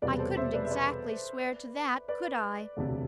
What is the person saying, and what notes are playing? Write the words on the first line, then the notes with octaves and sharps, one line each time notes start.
"I couldn't exactly swear to that, could I?"
E1 E2 C3 G3 B3 B4 D5
A4 C5
C5 E5
B4 D5
E5
B4 D5
B4 D5
E1 D2 C3